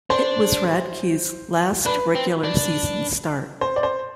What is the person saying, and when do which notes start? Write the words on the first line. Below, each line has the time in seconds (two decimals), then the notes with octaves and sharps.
It was Radke's last regular season start.
0.10 D4 C5
1.85 D4 B4
2.15 C4
2.44 D4
3.61 C5
3.76 D5
3.83 C5